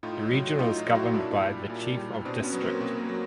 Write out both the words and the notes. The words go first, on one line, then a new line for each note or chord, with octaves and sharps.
The region was governed by the Chief of District.
A2 D#4 F4
F#3
A2 D#4 F4
F#3
E4 F#4
A#2 D4 E4
G3
A#2
G3
B2 C4 D4
B3 C#4
F#3
A#3 C4
B2 A#3
A#3
F#3